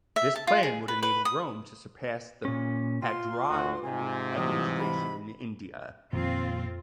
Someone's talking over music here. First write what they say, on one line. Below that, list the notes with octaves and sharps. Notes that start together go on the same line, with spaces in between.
This plan would enable Rome to surpass the "Padroado" administration in India.
E5
A5
F4
G#4
B4
B4
D#6
A#2 C#4
F4 C6
D2 F#4
G#2 C3 G#5
E3 F#3 G3 D#6
B5
F2 A#2 D#3 F3 C4 F4 G#6